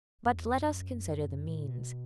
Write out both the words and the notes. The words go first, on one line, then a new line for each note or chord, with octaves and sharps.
But let us consider the means.
F#2
E2
F#2
A2
B2